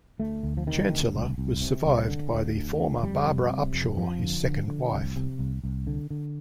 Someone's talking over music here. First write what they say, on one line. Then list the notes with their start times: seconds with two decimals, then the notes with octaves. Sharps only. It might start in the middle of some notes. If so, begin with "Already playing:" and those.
Chancellor was survived by the former Barbara Upshaw, his second wife.
0.20 D2 A3
0.43 D2
0.57 F3
0.67 C3 D#3
0.91 D2
1.15 C2
1.38 C2
1.61 C3
1.85 C2
2.08 D3
2.32 D2
2.56 D2
2.80 D3
3.03 F2 G3
3.26 C3
3.50 C3
3.74 F2
3.97 F2 F3
4.21 D3
4.45 D3
4.68 D3
4.92 C2
5.16 C3
5.39 C2
5.64 C2
5.87 D3
6.10 D3